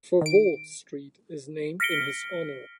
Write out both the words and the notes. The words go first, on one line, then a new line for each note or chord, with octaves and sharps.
Foveaux Street is named in his honour.
D#3 D7
F6 A#6 B6 C#7 D7 G7